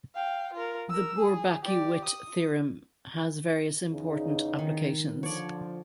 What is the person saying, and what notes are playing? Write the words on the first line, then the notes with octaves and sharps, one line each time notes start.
The Bourbaki-Witt theorem has various important applications.
F5 G5
F4 A#4
A#4 E6
G#4
G4 D5
D#6
E2 C#3 D#4
D#3
D3 F3 C#5 D5